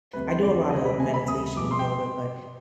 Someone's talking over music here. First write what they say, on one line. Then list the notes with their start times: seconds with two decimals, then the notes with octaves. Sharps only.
I do a lot of meditation and yoga, but
0.13 D2 C3 G3 B4
0.28 C5
0.42 F2 D3 G#3 D5
0.71 D2 D3 G3 D#5
0.85 B5
1.00 D#2 D#3 G3 G#5
1.14 B5
1.28 D2 C3 G3 D#6
1.56 G2 F3 G#3 D6
1.71 C6
1.79 G5